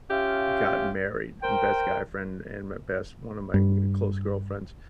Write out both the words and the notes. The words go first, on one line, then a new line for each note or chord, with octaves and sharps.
got married. My best guy friend and my best one of my, uh, close girlfriends,
C#4 F4 G4 E5 F5
A#4 C5 G5
G2